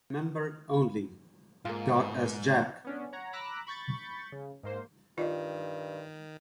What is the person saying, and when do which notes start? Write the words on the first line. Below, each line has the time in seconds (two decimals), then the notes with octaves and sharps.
Remembered only.. dot as Jack.
1.65 G#2 A#3 F4
2.84 B3 C#4 D4
3.13 C#5 F#5 A#5
3.33 A#5 B5 D6 E6 F#6 A#6
3.67 B5 C#6 G6 A6
4.32 C#3
4.63 G#2 A#3 C5
5.18 G2 D#3 F4 D5 D#5